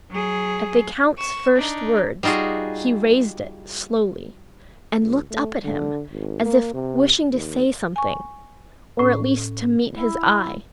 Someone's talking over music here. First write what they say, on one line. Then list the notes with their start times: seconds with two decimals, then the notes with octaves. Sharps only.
At the count's first words he raised it slowly and looked up at him as if wishing to say something or at least to meet his eye.
0.11 F#3 G#4
1.17 C#6 E7
1.55 D4 D#4
2.23 G3 D#4 F4 F#4 G#4
5.02 C#2
5.31 A3
5.64 D3
6.11 G#1
6.45 A#3
6.74 C3
7.32 D#2
7.96 G#5 C#6
8.99 A2 C#4
9.92 E4